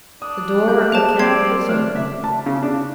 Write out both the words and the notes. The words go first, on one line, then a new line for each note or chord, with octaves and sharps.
The door of the cavern was open.
D4 D#6
G3 G6
A#3 G#4 C5 A5
C4 D5 C6 G#6 C7
A#4
A3 D4 F6
E5
A5
C#3
D4